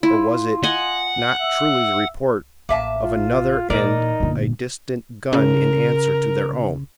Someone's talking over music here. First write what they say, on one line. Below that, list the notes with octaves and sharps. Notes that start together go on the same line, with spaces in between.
Or was it not truly the report of another and a distant gun in answer to their own?
E4 F4
D#5 F#5 G#5
E5
A1 A#3 E5 A5
F4
A#2 E3 D#4 A#4 D5
G1 A#2
C#3 A#4